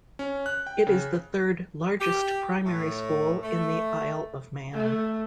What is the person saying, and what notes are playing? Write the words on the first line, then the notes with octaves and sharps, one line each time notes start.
It is the third largest primary school in the Isle of Man.
C#4
F#6
G5
C#3
G4
A2
A3
A3